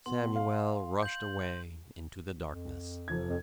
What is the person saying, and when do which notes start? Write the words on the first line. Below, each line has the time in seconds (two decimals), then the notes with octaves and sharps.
Samuel rushed away into the darkness.
0.06 B2 C6
0.36 F5
1.03 G6 F#7
2.46 F2
3.08 F1 F3 G#6
3.29 F2